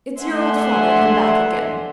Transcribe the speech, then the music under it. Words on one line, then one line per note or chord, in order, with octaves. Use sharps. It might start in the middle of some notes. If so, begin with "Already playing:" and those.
It's your old father come back again.
A3 D4 E5 F#5 G#5 C6